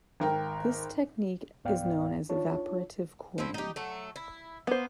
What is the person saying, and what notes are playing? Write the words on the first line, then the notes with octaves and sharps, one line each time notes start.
This technique is known as evaporative cooling.
G#1 A#4 G5
C#2 G#2 B3 D5 F5 G5
D4 D#4 F4 C#5 A5
F3 C4 E4
D#4 G4
F#3 A3
E4
A#3 B3 C5